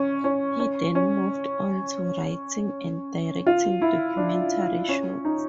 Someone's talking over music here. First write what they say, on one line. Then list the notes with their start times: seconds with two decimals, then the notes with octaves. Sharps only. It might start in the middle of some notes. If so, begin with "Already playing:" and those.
He then moved on to writing and directing documentary shorts.
Already playing: C#4
0.24 C#4
0.60 C#4
0.95 C#4
3.46 F4
3.82 E4
4.17 D4
4.89 C#4
5.25 D#4